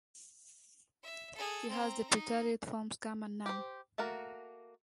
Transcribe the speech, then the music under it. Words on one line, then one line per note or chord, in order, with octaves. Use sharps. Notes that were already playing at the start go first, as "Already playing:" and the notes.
It has the preterite forms "kam" and "nam".
E5
G#4 A4
C4 A#5
D#4
G4 C5
A3 A#3 F#4 A#4